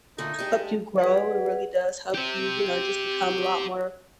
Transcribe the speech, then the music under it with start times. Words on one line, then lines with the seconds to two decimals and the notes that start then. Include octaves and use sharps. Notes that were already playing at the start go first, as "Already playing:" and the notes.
help you grow, it really does help you, you know, just become a lot more
0.18 A#2 D3 A3 D#4
0.39 G#3 D4 G4
0.99 G#4 B4 D5 F#5
2.15 G4 C5